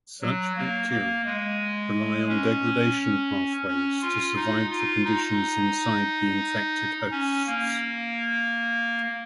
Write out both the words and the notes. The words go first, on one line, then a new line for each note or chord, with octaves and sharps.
Such bacteria rely on degradation pathways to survive the conditions inside the infected hosts.
F#3
A#3
A#3
G#3
C#4
C#4
F4
D#4
F4
D#4
C#4
A#3